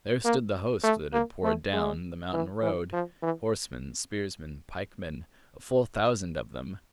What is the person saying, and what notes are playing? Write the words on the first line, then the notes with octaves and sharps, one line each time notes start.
There stood the host that had poured down the mountain road, horsemen, spearsmen, pikemen--a full thousand of them.
A#3
A3
A#3
A3
G#3
E3
E3
F3
E3